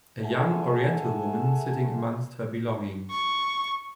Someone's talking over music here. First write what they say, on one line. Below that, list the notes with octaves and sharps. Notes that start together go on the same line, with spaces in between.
A young oriental woman sitting amongst her belongings.
G#4 A4 E5 F#5 G#5 A5
C#6